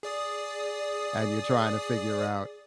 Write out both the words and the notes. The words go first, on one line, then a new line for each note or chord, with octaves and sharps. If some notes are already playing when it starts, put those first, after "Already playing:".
and you're trying to figure out
G#4 D5 D#6